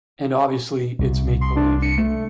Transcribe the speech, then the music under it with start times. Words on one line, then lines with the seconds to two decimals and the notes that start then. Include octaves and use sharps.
And obviously it's make-believe.
0.99 C2 C3
1.41 C6
1.56 D4
1.82 C#7
1.98 A3